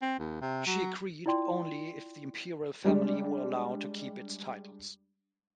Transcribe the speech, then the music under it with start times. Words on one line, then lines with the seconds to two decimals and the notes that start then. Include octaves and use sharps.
She agreed only if the imperial family were allowed to keep its titles.
0.02 C4
0.19 D#2
0.42 C3
0.66 F#3
1.26 E4 F4 D5 G5 C6
2.84 G3 G#3 D4